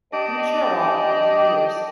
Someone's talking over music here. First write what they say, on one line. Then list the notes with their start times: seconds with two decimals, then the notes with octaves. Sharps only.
Like, you mature a lot over years.
0.13 D4 G4 D#5